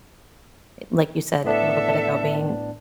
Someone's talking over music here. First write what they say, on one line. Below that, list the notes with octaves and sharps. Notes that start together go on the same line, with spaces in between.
like you said little bit ago, being
A2 B3 D4 A4 E5